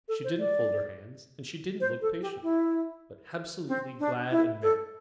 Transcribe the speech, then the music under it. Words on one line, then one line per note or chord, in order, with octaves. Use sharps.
She didn't fold her hands, and she didn't look patient, but absolutely glad and merry.
A4
C5
D5
C5
A4
G4
E4
C4
D4
E4
A4